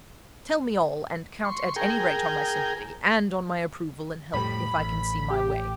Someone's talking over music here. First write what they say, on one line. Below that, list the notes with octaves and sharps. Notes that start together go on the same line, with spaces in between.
"Tell me all, and count at any rate on my sympathy, and on my approval and help if I can see my way."
C6 C#6
G#4 A#4 G5
F2 A2 G3 B5
A1
G4